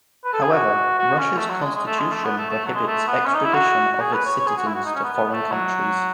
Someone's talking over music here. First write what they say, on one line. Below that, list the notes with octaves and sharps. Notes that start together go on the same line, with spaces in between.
However, Russia's Constitution prohibits extradition of its citizens to foreign countries.
B4
A4
G#4
F#4
F#4
C#4
A3
F#3
G#3
G#3
A3
G#3
A3
B3
A3
A3
F#3
G#3
A3
B3
C#4
D#4
E4
F#4
F#4
G#4
B4
C#5
C#5
G#4
F#4
E4
F#4
D#4
C#4
B3
B3
B3
A3
F#3